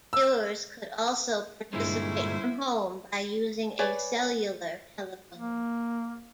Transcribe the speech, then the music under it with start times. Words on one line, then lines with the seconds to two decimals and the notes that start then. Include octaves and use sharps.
Viewers could also participate from home, by using a cellular telephone.
0.13 E6
1.73 G2 A#2 D3 G#3 C#4 E4 C5
3.79 B4 C#5 D5 G#5
5.36 A#3